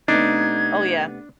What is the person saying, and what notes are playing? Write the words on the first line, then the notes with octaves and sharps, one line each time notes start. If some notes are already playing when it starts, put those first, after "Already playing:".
Oh, yeah.
C3 A3 B3 D4 D#4 G#6